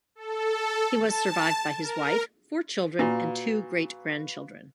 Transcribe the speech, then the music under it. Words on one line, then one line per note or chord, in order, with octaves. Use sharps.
He was survived by his wife, four children, and two great-grandchildren.
A4
A5
A#4
A#2 F#4 B4 F5